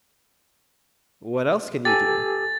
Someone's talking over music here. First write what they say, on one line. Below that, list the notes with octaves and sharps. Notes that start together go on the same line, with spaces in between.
"What else can you do?"
G4 A4 G#5 A6